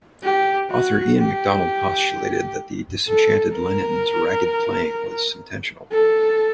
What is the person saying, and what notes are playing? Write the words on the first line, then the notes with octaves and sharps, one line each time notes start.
Author Ian MacDonald postulated that the disenchanted Lennon's ragged playing was intentional.
G4
F#4
G4
A4
A#4
A4